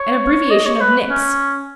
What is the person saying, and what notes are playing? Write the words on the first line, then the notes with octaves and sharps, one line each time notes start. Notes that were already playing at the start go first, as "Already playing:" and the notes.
An abbreviation of Nix.
Already playing: C#5
D#5
C#5
B4
C#4